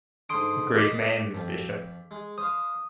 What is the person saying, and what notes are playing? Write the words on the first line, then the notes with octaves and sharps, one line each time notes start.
A great man, Miss Bishop.
G#2 D3 C6 D#6 D7
A#4 D5 D#5 D6 B6
F2
G#3
C5 F5 D#6